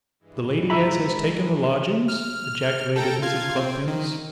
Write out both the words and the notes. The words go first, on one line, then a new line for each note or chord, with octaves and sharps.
The lady as has taken the lodgings!' ejaculated Mrs. Cluppins.
G2 E3 G#3
E4 E5 A#5 B5
F6
A4 G5 A#5
F4 F5 G#6
C4
D#3